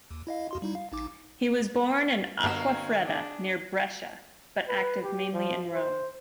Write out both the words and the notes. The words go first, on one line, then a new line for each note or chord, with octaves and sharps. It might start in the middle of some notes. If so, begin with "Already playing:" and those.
He was born in Acquafredda, near Brescia, but active mainly in Rome.
D#2
E4 D#5 F5
E2 F#4 C6
G3 D#4 E4
F5
A1 D#4 D6
G2 D3 B3 C4 F#4 F5 A#5 E7
D4 G#4
B4
G4
F3
C5